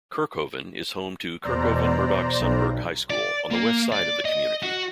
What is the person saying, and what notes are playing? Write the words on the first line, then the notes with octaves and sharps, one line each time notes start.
Kerkhoven is home to Kerkhoven-Murdock-Sunburg High School on the west side of the community.
E2 B2 C5 D5 A#5
B1
D5
A#3
D5
D#5
F#4